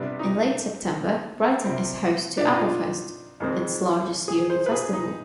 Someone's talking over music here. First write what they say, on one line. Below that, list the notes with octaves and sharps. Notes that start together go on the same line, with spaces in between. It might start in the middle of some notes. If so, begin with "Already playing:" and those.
In late September, Brighton is host to Applefest, its largest yearly festival.
Already playing: C3 G3 B3 D4
D#4
C3 G3 C4
D4
D#4
F4
F2 D#3 G#3 C4
G#4
C5
B4
G#4
D#4